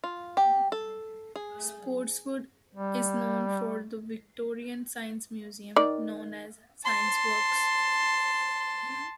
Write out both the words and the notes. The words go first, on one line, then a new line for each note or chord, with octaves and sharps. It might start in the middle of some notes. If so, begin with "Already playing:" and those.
Spotswood is known for the Victorian Science Museum, known as Scienceworks.
F4
G4
A4
G#4
G3
D#3 D5
A5 C6